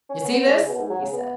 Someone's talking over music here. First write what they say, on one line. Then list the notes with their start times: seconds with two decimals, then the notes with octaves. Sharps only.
"You see this?" he said.
0.09 C#4
0.24 B3
0.35 B3
0.46 G#3
0.57 C#3
0.69 B2
0.80 G#2
0.90 F#3
1.01 C#3
1.13 B3